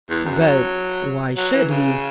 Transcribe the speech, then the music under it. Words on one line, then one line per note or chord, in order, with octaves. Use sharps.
"But why should he?"
E2
F#2
F#3
F#3
E3
C#3